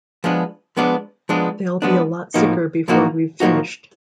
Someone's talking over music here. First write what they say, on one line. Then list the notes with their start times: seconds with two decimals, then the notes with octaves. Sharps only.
They'll be a lot sicker before we've finished.
0.24 F3 G#3 B3 D4
0.77 F3 G#3 B3 D4
1.29 F3 G#3 B3 D4
1.82 F3 G#3 B3 D4
2.34 A2 F3 A#3 D#4 F#4
2.88 A2 F3 A#3 D#4 F#4
3.40 A2 F3 A#3 D#4 F#4